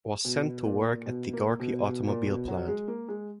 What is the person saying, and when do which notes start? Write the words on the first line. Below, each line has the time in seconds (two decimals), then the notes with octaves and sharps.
Was sent to work at the Gorky Automobile Plant.
0.25 B2
0.66 A#2
1.06 B2
1.33 A#3
1.60 B2
1.86 B2
2.07 A#2
2.27 B2
2.48 F#3
2.68 G#3
2.88 A#3
3.09 G#3